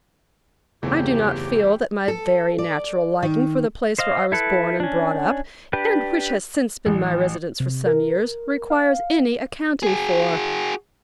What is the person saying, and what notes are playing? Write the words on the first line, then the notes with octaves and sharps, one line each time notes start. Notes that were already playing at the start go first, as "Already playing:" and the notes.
'I do not feel that my very natural liking for the place where I was born and brought up,--and which has since been my residence for some years, requires any accounting for.'
G1 E2 C#3 E3 A3 C4 G4
A4
D5
D#3
C5 D#5 F5
E4 A4 B4
C#4 D4
D4 G4 B4
A1
C3
A#4
F5
F#4 G#4